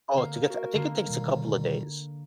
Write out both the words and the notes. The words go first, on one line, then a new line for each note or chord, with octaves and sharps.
oh, to get to I think it takes a couple of days,
D3 A#3
F#4 A#4
D3 A#3
B2 D#3 G3